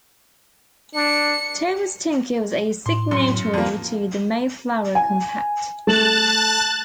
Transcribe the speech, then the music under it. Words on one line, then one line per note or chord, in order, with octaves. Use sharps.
Thomas Tinker was a signatory to the Mayflower Compact.
D4 C#7
A2 C6
F#2 C6
F2 A#3
G#5
A3 A5 F#6 A6